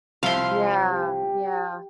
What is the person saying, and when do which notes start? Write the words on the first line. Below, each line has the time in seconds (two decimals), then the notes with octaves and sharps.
Yeah. Yeah.
0.23 C2 F3 E5 F5 C6
0.91 G4